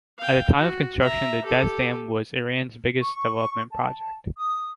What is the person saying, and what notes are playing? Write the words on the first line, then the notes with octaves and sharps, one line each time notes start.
At the time of construction the Dez Dam was Iran's biggest development project.
F5 G5
F#4
E5 A#5
G4 A4
C#6
A5
D#6